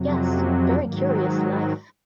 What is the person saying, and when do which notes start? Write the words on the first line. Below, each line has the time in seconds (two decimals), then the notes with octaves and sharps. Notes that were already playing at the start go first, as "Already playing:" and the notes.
Yes; very curious life.
Already playing: F2 C3 F#3
0.33 A#3 C#4
0.80 G#2 D#3 F#3 A#3